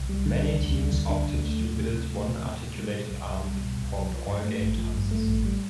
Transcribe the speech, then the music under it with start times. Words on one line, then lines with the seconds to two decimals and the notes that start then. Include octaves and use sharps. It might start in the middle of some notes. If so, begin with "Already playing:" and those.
Many teams opted to build one articulated arm that performed all game tasks.
Already playing: C2
0.09 G3
0.26 D3
0.42 D4
0.60 D2
0.77 G3
0.93 D3
1.10 D4
1.26 D2
1.44 A3
1.60 F3
1.77 C3
1.94 C3
2.10 A3
2.27 F3
2.43 C3
2.60 C3
2.76 G3
2.94 B2
3.10 C2
3.27 C2
3.44 G3
3.60 B2
3.77 C2
3.93 C2
4.11 F3
4.27 G2
4.45 A3
4.61 A1
4.77 F3
4.94 G2
5.11 A3
5.28 A1
5.45 G3